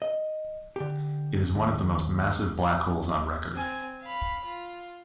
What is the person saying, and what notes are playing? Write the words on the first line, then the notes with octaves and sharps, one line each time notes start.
It is one of the most massive black holes on record.
D#5
D3 G4
D#2
C4 G#5
F5 B5
F4